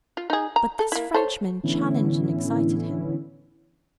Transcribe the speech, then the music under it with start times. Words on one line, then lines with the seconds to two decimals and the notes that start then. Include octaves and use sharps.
But this Frenchman challenged and excited him.
0.17 F4
0.30 D#4 G#4
0.56 A#5
0.79 A4
0.92 A#3 E4
1.14 A4 C5 C#5
1.63 A2 D3 E3 B3 C#4 E4